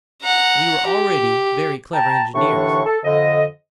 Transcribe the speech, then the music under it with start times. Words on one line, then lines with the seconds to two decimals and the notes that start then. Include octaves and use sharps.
We were already very clever engineers.
0.23 F#5 A#5
0.87 G4
1.94 G5 A5 A#5
2.34 D#2 A2 D3 E3 D4 C#6
2.85 A4
3.04 F2 D3 D#5